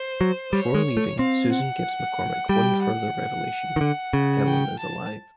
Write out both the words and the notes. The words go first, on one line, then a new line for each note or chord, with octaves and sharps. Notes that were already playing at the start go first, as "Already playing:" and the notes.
Before leaving, Susan gives McCormick one further revelation: Helen is alive.
Already playing: C5
F#3
G3 C#5
G#3
A3
C4 F5
F#5
G3 G5
F#5
D#3
D3
C#3
G5
A5